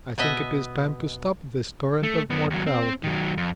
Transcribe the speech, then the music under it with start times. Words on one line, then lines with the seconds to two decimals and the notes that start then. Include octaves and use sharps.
I think it is time to stop this torrent of mortality.
0.18 B2 B3 D#5 E5
2.03 A3
2.30 F#2 B3
2.50 D#2 F#3
2.67 C4
3.04 D#3 F#3
3.37 F2